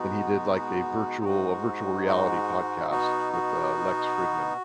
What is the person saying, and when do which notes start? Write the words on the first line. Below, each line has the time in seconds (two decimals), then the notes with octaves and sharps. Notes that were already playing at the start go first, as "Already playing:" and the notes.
and he did, like, a virtual a virtual reality podcast with, uh, Lex Fridman.
Already playing: B2 G#3 B3 D#4 F#4
1.24 G#2 G#3 D#4 F#4
2.07 F#4
2.91 B2 B3 D#4 F#4
3.33 F#4